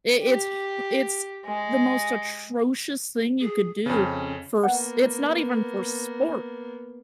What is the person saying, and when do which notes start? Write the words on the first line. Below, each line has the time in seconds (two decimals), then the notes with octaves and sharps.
It it's h it's the most atrocious thing you could do for s it's not even for sport.
0.22 G4
1.46 G#3
3.41 G#4
3.86 F2 C#3 C#4
4.64 A#3 B3 F#5